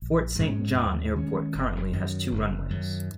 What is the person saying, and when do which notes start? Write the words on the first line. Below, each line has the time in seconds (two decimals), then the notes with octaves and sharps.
Fort Saint John Airport currently has two runways.
0.02 A#1
0.40 G#2 G#3 C#4
0.78 D#2
1.16 D#3 G#3 C#4
1.55 F#1
1.93 F#2 D#3 F#3
2.31 F#1
2.70 F#2 D#3 F#3